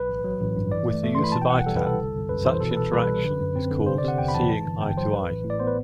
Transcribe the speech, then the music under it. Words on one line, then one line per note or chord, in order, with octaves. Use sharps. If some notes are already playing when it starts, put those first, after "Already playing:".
With the use of EyeTap, such interaction is called "seeing eye-to-eye".
Already playing: B1 B4
A1
F#3
A1
G2
E3 D5
A3
A3
C6
E3 B5
B2 A5
G5
C2 F#5
G3 A4
B4
C2 A4
G1
G1
F#2 B4
E3 C5
B2 A4
B4
C2 A4
G3 B4
C2
D3
F#2
C4
D3
C3 C5
D5
C3 F#5
E2 G5
B5
E3 A5
G1
G1
G1 G5
F#3 C5
A1 B4
A1
A2
D5
B3 C5
B4